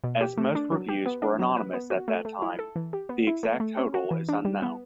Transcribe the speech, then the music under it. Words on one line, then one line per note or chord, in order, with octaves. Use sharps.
As most reviews were anonymous at that time, the exact total is unknown.
B2
G4
A3
D4
F#3
G4
B3
D4
F#3
B4
B3
F#4
A3
A3
E4
A4
E3
G4
B3
E4
A3
A3
C#4
F#4
E3
D4
G3
B3